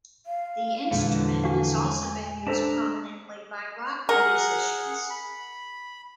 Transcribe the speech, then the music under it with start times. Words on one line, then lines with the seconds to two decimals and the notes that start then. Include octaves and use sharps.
The instrument has also been used prominently by rock musicians.
0.26 F5
0.91 E2 A#2 D3 E3 F3 G#3
1.44 F#4 F5 G#5
2.47 D4 A4 C5 E5 A5 A#5
4.09 G#4 A#4 F#5
5.10 B5